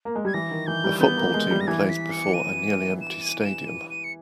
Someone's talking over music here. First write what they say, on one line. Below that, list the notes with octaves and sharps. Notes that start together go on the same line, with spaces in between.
A football team plays before a nearlyempty stadium.
A#3
G#3
G3 G#6
E3 A#6
D#3
E3 G6
G3
B3 G6
A#3
G#3
G3
A#6
E3 G#6
B6
C#7
D#7
E7
D#7
D#7
E7
D#7
D#7
C#7